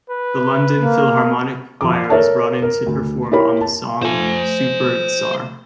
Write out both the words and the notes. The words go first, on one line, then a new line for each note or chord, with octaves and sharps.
The London Philharmonic Choir was brought in to perform on the song "Supertzar".
B4
A#3
F3 D6
A4 A#4 C#5 E5 A5
A#4
D2
E4 G4 A#4 C#5 B5
A5
F3 A3 C5 G#5